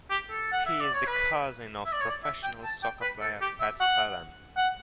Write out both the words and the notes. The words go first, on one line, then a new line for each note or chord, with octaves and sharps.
He is the cousin of professional soccer player Pat Phelan.
G4
A4
F#5
E5
D5
C#5
B4
E5
D5
C#5
D5
E5
G5
A5
G5
B4
A4
G4
E5
F#5
F#5